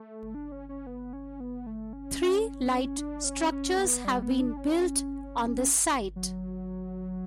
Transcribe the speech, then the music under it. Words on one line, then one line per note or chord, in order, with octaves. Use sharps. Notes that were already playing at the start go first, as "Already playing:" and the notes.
Three light structures have been built on this site.
Already playing: A3
D4
C#4
C#4
B3
C#4
B3
A3
C#4
D4
C#4
C#4
B3
G3
B3
D4
C#4
F#3